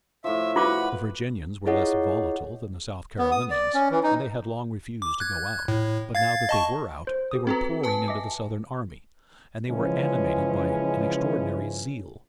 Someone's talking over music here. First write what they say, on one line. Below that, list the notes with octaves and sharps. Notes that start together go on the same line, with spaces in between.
The Virginians were less volatile than the South Carolinians, and they had long refused to go out, but now that they were out they were pouring into the Southern army, and they were animated by an extraordinary zeal.
A2 F3 E5
F4 F#4 B4 B5 D6
E4 F4 G#4 C#5 D#5 F#5
B3
D#6
D5
C#4
E3
D#4
D6
F#6 G#6
A2
F5 G#6 A6
D#5 A5 C#6
C5
G4 D#6
C4 F#4 A4 B4 A#5
B4 G#5 A5
D#5 E5 D6
C#3 E3 F3 G#3 C#4